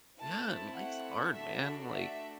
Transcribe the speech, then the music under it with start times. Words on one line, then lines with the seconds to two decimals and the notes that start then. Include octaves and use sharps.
Yeah, and life's hard, man, like,
0.21 A3 C4 E4 A5
0.77 F#5
1.35 A3 D4 F#4 E5
1.92 E5